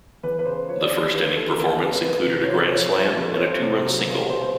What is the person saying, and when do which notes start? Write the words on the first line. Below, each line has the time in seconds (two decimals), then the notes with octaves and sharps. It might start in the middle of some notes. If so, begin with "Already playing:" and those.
That first inning performance included a grand slam and a two-run single.
0.23 E2 B4
0.39 B4
0.46 C#3 C5
0.68 F3 C#5
0.82 D5
0.91 E2 C#5
1.13 F3 B4
1.36 E2 A4
1.59 E2 A#4
1.81 C#3 B4
2.03 F2 B4
2.26 C3
2.43 C#5
2.49 F2 C5
2.71 F3 C#5
2.93 F3
3.16 F2
3.34 C#5
3.39 F2 C5
3.61 C3
3.84 F#3
4.07 C#2
4.30 B2 C5
4.42 C5